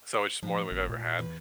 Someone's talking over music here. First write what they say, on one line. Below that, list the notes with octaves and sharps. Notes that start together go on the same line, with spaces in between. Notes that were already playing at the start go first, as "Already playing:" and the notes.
so it's more than we've ever had,
A2 F3
G#1
A#2
E2 B4